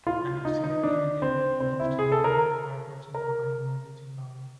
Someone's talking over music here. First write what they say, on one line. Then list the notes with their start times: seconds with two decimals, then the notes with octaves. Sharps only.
An auxiliary engine will be used to navigate harbors and provide emergency power.
0.07 F4
0.45 D#4
0.64 D#4
0.83 D4
1.22 C4
1.60 C4
1.80 E4
1.99 G#4
2.12 A4
2.24 A#4
3.15 A#4